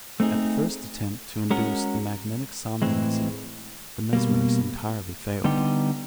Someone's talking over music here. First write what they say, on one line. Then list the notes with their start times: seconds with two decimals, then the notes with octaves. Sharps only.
At the first attempt to induce the magnetic somnolency, the mesmerist entirely failed.
0.20 A3 C4 D#4 G#4
1.51 G#3 C#4 F#4 A#4
2.82 A2 E3 G#3 C4
4.13 B2 G3 A#3
5.44 D3 G3 B3 D#4 G4